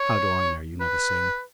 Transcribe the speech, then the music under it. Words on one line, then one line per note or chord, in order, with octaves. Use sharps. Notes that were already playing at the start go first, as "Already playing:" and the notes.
How do I know you never sing?
Already playing: C#5
B4